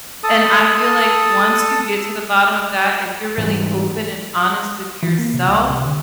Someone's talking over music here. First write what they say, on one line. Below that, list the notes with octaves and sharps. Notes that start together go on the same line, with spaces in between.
And I feel like once you get to the bottom of that, if you're really open and honest with yourself
A4 A5 D#6
G#2 E3 G3 G#3
E3
A#3
C3
C2
C3
D3